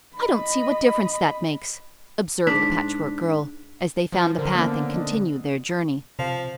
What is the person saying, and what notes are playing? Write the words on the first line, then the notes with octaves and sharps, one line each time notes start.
"I don't see what difference that makes," observed the Patchwork Girl, as they found the path and continued their journey.
D#5 B5
G#2 D4 B6
F3
D3 A#4 C5 D5
A#3 B3 C#4
D#5
C3 F3